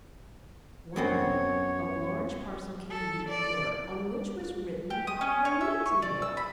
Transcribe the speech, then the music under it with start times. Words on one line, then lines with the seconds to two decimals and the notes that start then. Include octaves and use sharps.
One day a large parcel came to the Emperor, on which was written "The Nightingale."
0.96 F#2 B3 C4 C#5
2.90 A4
3.29 D5
4.90 G4
5.07 D#6
5.21 C#4
5.45 C#5
5.61 E5
5.86 C#6
6.02 D5
6.22 E6
6.37 B5